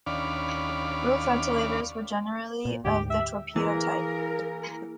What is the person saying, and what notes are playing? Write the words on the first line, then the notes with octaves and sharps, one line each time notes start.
Roof ventilators were generally of the torpedo type.
D#2 C#4 D4 D5 F5 B5
A#2
D2 G#2 G4
E5
E3 A#3 E4 G#4 A#4